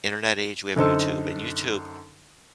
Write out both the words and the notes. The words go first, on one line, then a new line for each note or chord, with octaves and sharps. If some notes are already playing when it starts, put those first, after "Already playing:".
internet age, we have YouTube, and YouTube,
F#2 D3 D#4 A4 C5 E6